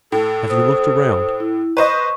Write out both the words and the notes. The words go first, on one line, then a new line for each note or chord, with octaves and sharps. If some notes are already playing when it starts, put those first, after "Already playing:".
"Have you looked around?"
A2 A4
C5 D#6
E4
B4 C5 D#5 C#6